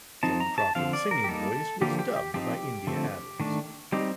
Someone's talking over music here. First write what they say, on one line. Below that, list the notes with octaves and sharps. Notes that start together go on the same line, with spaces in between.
Joan Crawford's singing voice was dubbed by India Adams.
F3 C4 D#4 A5
A#5
A5
D3 F3 C4 F5
D5
A#4
G4
G3 A#3 D#4 A4
D3 F3 A#3 G4
G4
G4
F3 C4 D#4 G4
D3 F3 A3 C4
D#3 A3 D4
G3 C4 D#4 G4